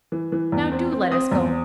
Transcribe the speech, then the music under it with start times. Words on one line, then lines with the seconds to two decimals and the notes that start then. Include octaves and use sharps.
Now DO let us go.
0.12 E3
0.32 E3
0.52 E2
0.72 C4
0.92 C4
1.12 C4 D#6
1.32 E2